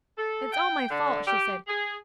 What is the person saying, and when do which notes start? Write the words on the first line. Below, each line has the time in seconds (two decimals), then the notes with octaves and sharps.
'It's all my fault,' she said.
0.17 A4
0.52 G5
0.89 D3
1.26 G4
1.67 G#4